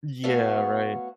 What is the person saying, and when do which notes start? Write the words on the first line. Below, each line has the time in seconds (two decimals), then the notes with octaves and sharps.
Yeah, right.
0.23 A3 B3 F#4 C#5 F5